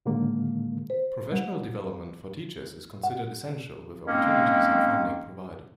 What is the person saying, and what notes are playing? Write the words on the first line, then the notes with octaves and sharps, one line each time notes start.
Professional development for teachers is considered essential with opportunities and funding provided.
A2 D3 D#3 G#3 A#3
C5
G3
F#5
D#3 G#3 A#3 C4 C#4